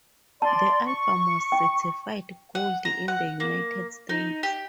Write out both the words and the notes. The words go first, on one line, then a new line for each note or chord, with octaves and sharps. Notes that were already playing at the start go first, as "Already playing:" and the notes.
The album was certified Gold in the United States.
D5 A5 C6
C#6
G5
F#5
A#5
F#5
A#3
D#4
G4